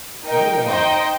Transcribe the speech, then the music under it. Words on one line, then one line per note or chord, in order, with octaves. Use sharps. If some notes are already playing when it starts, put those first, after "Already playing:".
"How long?"
D#4 A#4 G5
D#4 C5 D#5 G5